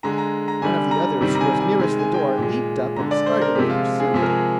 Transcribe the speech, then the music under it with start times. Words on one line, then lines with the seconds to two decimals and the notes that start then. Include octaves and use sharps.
One of the others who was nearest the door leaped up and started in pursuit.
0.03 D3 G#3 A#5
0.12 G#5
0.18 A#5
0.48 A#5
0.62 D3 G3 G#5
0.91 A#5
1.20 C3 D#3 G3
1.35 A#5
1.41 G#5
1.60 G#5
1.79 C3 D#3 G#3 G#5
1.99 G#5
2.14 G5
2.18 G#5
2.38 A#2 G#3
2.96 D3 G#3 A#5
3.11 D5
3.26 C5
3.41 A#4
3.55 C3 F3 G#3 G4
3.70 F4
4.00 G#4
4.14 C3 F3 G#3 G#4
4.22 A#4
4.30 G#4